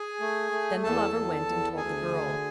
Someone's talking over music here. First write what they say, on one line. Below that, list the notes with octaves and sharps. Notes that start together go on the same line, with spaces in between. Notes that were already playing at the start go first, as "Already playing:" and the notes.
Then the Lover went and told the Girl.
Already playing: G#4 G#5
A3
A3
E2 A4 A5
E2
E2
D2 G#4 G#5
D3